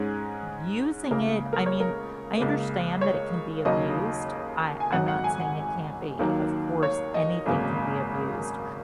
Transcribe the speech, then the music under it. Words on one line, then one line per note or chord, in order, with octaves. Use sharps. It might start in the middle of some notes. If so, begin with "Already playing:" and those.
using it I mean, I understand that it can be abused. I I'm not saying it can't be. Of course, anything can be abused.
Already playing: G#2 G#3 C#4 G#4
C#2 C#3 A#3 A#4
A#4
C#5
A#4
C#2 C#3 A#3
C#5
D#2 C#3 F#3 A#3 D#4 D#5
G#5
G#1 F#2 D#3 F#3 D#4 F#5
F#5
G#5
F#5
D#2 D#3 F#3 A#3
C#5
D#5
G#1 F#2 C#3 A#3